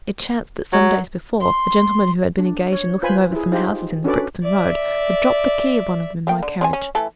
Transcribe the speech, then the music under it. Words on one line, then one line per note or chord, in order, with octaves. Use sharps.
It chanced that some days before a gentleman who had been engaged in looking over some houses in the Brixton Road had dropped the key of one of them in my carriage.
F#3
C6
D4
C#5
F4 B4 C5 G#5 B5
E4 G#4
D#4 F4 G4 G#4 C5
C#4 D4 F#4 A4 B4 D5
D5 E5
A3 A#3 G5
D3
C4 D5 G#5
C#4
E3 A3 A4